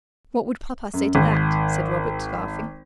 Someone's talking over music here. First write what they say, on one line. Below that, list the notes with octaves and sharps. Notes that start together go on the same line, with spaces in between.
"What would papa say to that?" said Robert, laughing.
F#2
G#1